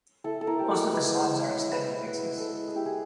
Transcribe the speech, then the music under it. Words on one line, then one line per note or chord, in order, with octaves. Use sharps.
Most of the songs are extended mixes.
E4 A4
A4
E4 A#4
G4
G#3 F#4
E4 B4
G#3 C5
G#3
C#5
E4
B4 C5
E4
G#3 B4
G#3
A4
G#3
G#4
E4 G4
G#4